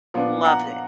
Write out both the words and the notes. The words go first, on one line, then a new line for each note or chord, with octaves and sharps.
Love it.
A#2 F3 B3 D4
F#5 A#5